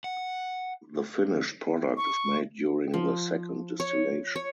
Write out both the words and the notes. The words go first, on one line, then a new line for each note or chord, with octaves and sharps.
The finished product is made during the second distillation.
F#5
C#6
F3
C#5
C#5